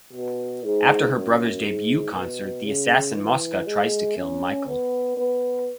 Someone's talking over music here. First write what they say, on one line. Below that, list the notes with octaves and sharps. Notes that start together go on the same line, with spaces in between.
After her brother's debut concert, the assassin Mosca tries to kill Michael.
B2
G#2
F#2
G#2
B2
C#3
E3
G#3
C#4
B3
B3